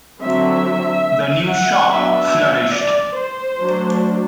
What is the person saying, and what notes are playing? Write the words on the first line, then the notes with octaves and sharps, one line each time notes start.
The new shop flourished.
D3 F#3 C4 E5
F#5
F#3 B3 D4 E5
D5
C5
F#3 A3 D4